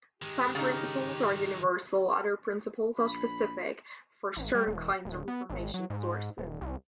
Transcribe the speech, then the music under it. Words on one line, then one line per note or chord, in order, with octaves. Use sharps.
Some principles are universal, other principles are specific for certain kinds of information sources.
D#3 G#3 G4
C#3 D#4
A#1 B5
A1
G3
E1
D1
B3
G#1
F#3
G#2
D#1
C2